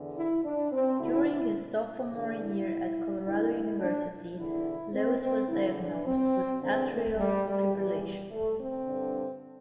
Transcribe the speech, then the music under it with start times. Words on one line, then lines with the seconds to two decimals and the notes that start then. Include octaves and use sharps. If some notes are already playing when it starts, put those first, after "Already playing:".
During his sophomore year at Colorado University, Lewis was diagnosed with atrial fibrillation.
Already playing: E2 D3
0.16 E4
0.44 D4
0.72 C4
0.99 D2 D3 E4
1.28 E4
2.11 E2 D3
2.40 E4
3.24 G2 D3 E4
3.52 E4
3.80 D4
4.37 E2 D3 E4
4.93 C4
5.21 C4
5.49 E2 D3 E4
5.77 D4
6.05 C4
6.61 E2 D3 C4
6.89 A3
7.17 G3
7.46 G3
7.74 E2 E3 G3
8.02 G3
8.30 A3
8.58 C4
8.86 G2 D3